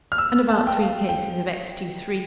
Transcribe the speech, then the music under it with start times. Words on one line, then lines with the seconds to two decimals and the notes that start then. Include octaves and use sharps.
And about three cases of Extee Three.
0.12 F6
0.18 E6
0.49 A5
0.67 G5
0.79 F5
1.09 G5